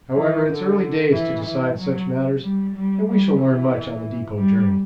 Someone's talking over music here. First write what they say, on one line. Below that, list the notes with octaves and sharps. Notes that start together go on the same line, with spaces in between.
However, it's early days to decide such matters, and we shall learn much on the depot journey.
E3
D3
E3
E3
F#3
G3
G3
G3
E3
G3